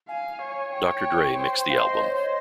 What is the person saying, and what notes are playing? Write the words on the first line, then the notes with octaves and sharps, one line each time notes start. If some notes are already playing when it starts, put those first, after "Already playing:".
Doctor Dre mixed the album.
F5 G#5
C#5
C#5 G5
C5
C5 F5
D#5
C5 C#5
D#5